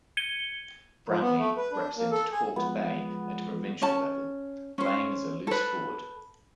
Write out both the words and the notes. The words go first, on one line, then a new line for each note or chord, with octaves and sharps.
Brownlie represented Hawkes Bay at a provincial level, playing as a loose forward.
G#6 C#7 D#7 G7
F3
B3
A3
B4
D4
A#3
A4
G#4
F3 G#3 B3
C#4 A5
C#4 C5
A4 B4